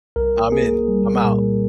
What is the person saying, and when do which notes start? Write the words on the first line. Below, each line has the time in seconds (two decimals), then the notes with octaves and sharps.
"I'm in. I'm out."
0.16 C2 A#4
0.52 A#3 G#4
0.88 G3
1.24 A#2